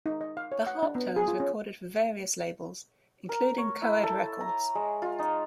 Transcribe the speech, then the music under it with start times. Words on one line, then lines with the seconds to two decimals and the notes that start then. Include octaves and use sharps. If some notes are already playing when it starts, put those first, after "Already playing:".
The Harptones recorded for various labels, including Coed Records.
0.06 D#4
0.21 D#5
0.37 F5
0.52 C#5
0.67 F#5
0.83 D4
0.95 B3
1.16 G#4
1.28 F4
1.40 C#4
3.29 A#4
3.58 C#5
3.82 E4
4.03 A4
4.40 A#5
4.75 G#3
5.02 F4
5.19 D#4